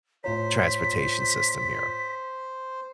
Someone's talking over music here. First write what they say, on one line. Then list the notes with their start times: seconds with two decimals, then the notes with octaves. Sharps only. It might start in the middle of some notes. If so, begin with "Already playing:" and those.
transportation system here.
0.24 A2 F4 C5 C#5 A#5 B6